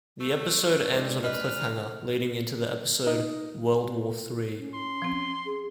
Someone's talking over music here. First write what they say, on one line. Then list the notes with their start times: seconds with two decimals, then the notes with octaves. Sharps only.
The episode ends on a cliffhanger, leading into the episode "World War Three".
0.21 A3
0.93 G#3 D4
1.24 B4 D#5 F6
3.07 D#4 D#5
4.59 C#4
4.74 C6
5.02 F3 C4
5.46 G#4